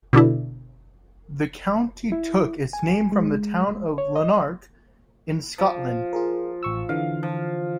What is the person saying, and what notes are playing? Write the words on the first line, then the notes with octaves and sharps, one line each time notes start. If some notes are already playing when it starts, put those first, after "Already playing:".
The county took its name from the town of Lanark in Scotland.
B2 D3 D4 E4
E4
G#5
G#3
C#5
D#5
F3
F4 G#4 A#4
A1 C#6 E6
D3 E3 F5
F3